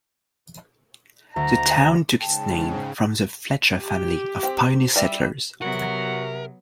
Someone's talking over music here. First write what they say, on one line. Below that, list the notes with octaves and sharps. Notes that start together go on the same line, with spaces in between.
The town took its name from the Fletcher family of pioneer settlers.
D2 A#5
G#2 C#3 G5 A5
G4
C4
G3 D5 E5
C3 F#3 B3 F#4 A#4